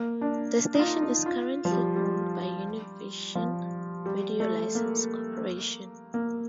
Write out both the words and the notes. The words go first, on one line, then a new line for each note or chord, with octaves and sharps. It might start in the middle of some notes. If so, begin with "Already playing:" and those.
The station is currently owned by Univision Radio License Corporation.
Already playing: A#3
D4
D#4
F4
D#4
F4
F3
G3
G3
F3
G3
A3
A#3
A#3